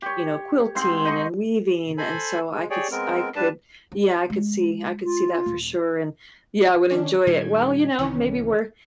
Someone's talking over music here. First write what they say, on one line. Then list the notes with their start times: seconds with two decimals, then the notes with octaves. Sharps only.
you know, quilting and weaving, and so I could s I could yeah, I could see I could see that for sure, and yeah, I would enjoy it, well, you know, maybe we're
0.02 G4 C#5
0.75 G#2 C4 C6
1.05 D#4 D#5 C6 C#6
1.98 A4 C5 G#5 B5
2.53 G#3
2.70 G4 G#4 C#5 D5
2.91 G#3 B3 C4 A#4
3.36 G2 G3 D4 B4 A5
3.92 C4
4.30 G#3
5.04 F4
5.46 D#1
6.91 D#3 C#4 D4
7.27 A#2 D#3 G3 G#6
7.99 C2 D#3 E3 C#4